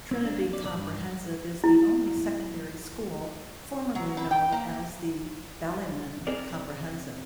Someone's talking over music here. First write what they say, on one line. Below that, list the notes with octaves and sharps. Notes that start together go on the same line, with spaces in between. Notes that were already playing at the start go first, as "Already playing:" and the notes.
Trinity Comprehensive is the only secondary school formerly known as the Ballymun Comprehensive.
C4
D4
D5
D5
G2
E4
F#3
E4
G5
A#3
C4 G#4 A#4 D5